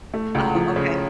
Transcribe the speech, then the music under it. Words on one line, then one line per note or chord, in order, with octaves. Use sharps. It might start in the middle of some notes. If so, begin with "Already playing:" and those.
Oh, okay.
A3
C#2
F3
C#3